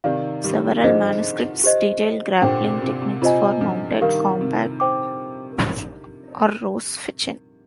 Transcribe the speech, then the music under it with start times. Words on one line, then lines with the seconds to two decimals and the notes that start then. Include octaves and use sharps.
Several manuscripts detail grappling techniques for mounted combat or "rossfechten".
0.04 C3 D#3 G4 D5 F5
0.44 D#3 G3
0.84 D3 F3 D4 G#4 C5 D#5
1.64 G4 C5 D#5
2.42 A#2 D3 D4 G4 C5 G5
2.62 C3
2.82 C3
3.02 C3
3.22 C3 F4 C5 D#5 G#5
3.61 D3 F3
4.01 D#3 G3 G4 A#4 F5
4.41 C3
4.80 C5 G5 D6